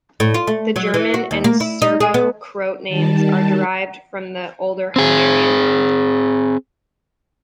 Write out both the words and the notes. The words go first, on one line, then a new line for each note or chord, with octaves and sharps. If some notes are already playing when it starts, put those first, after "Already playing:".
The German and Serbo-Croat names are derived from the older Hungarian one.
A2
F4
A3
F#3
E3
F#4
D#2
A#3
E4
D#4
G#4
B3
D#3 G3 A5
C4 G#4